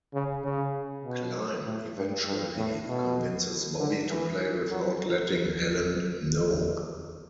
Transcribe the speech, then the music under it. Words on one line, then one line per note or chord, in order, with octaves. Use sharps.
Klein eventually convinces Bobby to play without letting Helen know.
C#3
C#3
B2
A2
G2
G2
A2
B2
D3
E3
F#3